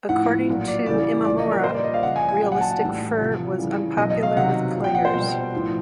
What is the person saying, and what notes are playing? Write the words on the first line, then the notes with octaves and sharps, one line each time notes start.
According to Imamura, realistic fur was unpopular with players.
A2 F3 F#5
A#2 F#3
D5
C#3 E3 G3 D5
A#2 F3 D5
D#5
A#4
A#2 G3 C5
D5
D#5
F5
C#3 F3 F#5
G#5
G#5
A#2 F#3 G5
F#5
A5
F#5
A2 E3 G3
C3 F3
C#3 E3 G3
B2 F#3 D#5
D#5
F5
C3 D#3 F#3 F#5
A#2 F3
G5
F#5
C5
B2 G3
A2 F3